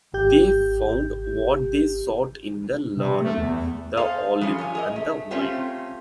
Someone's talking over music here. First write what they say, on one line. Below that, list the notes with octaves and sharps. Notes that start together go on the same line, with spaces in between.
They found what they sought in the laurel, the olive, and the vine.
G#1 G4 G6
C3
A3
E2
G#4 A4 C5 F5
F3 G3 C#4 F4
G2 C#5 G#5
G#4 A#4 D#5
A3
A3 C4 C#4 F4 G4